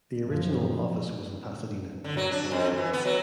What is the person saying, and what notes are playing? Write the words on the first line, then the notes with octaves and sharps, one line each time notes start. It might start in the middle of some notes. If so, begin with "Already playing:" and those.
The original office was in Pasadena, California.
F#2 F3
D3
F#3
D4
F2
E3
B3
F#3